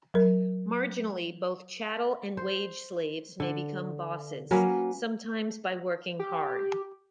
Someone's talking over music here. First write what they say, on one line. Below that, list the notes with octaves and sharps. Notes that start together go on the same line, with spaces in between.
Marginally, both chattel and wage slaves may become bosses; sometimes by working hard.
F#3 A#4
C5
D3
F#3 A#3 C#4 B4
G4